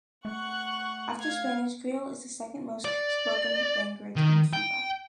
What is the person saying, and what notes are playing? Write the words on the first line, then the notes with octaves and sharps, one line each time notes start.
After Spanish, Creole is the second most-spoken language in Cuba.
A3 F#5 C#6 F#6
F5 G#6
D5
D#3
G5